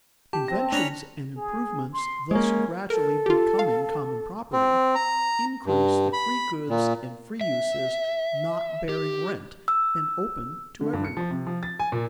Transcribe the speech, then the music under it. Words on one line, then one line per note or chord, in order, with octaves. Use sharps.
Inventions and improvements thus gradually becoming common property, increase the free goods and free uses not bearing rent and open to every one.
G4 A5
C4 A#6
C#4 D4 A#5 B5
G#4
C6
G#3 A#3 C#4
A4 A#4
F4 G4
F5
C4
A#5
G2
B5
A#2
E5
G4
E6
D3
G2
C#7
F3
C3
F3
A6
G#5
A#2